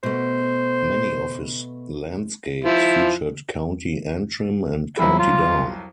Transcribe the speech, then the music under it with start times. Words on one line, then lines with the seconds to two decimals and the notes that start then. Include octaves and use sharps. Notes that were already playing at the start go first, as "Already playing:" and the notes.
Many of his landscapes featured County Antrim and County Down.
0.03 B2 A3 C5
2.64 F3 E4
4.99 C2 F2 F#3 E4
5.19 F4